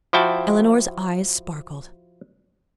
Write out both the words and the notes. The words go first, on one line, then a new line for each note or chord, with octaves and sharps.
Eleanor's eyes sparkled.
F3 E4 F#4 G5 A5